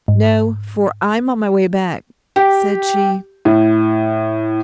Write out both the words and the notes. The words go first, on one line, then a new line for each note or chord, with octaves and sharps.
"No, for I'm on my way back," said she.
G#2
G4
A2